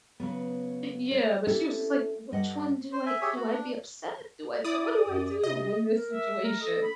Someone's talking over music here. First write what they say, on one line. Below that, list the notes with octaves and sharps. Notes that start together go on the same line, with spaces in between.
Yeah, but she was just like, "Which one do I do I be upset? Do I what do I do in this situation?"
C#3 F#3 B3
C#5 D5
C#4 D4 E4 G4 A4
G2 D#5 F#5
C5
E5 G#5
G4 G#4 C#5 E5
F#4
D4
E4 D5 D#6
F#2
C3 D#5
A#4
E5
A3 A#4
A4 D#5
B5